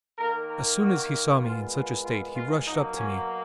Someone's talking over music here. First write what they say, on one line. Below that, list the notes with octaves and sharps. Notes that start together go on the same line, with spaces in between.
As soon as he saw me in such a state he rushed up to me.
D#3 A#3 A#4
A#4
F#4
A#2 G#3 B3 F4
F4
F4
F4
B2 F#3 A#3 D#4
C#4